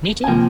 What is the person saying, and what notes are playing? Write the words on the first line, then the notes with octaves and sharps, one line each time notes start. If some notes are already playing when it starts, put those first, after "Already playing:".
Me too!
G#5
C3 F3 A#3 G5